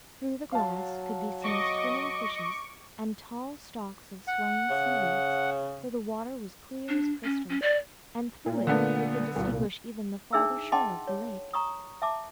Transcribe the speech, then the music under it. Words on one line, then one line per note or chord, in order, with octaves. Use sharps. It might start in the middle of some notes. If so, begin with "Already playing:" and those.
Through the glass could be seen swimming fishes, and tall stalks of swaying seaweeds, for the water was clear as crystal and through it they could distinguish even the farther shore of the lake.
F#3 F5 A5
D#5 C#6 D6
F#5
C#3
D4
C#4
C#4
D5
A#2
D3 A3 B3
C2 A#2
D4 D#4 G#4 E5 E6
D#5 F#5 G5 A5 C6 D6
C#5
A#5 C#6 D#6
E5 A5 D6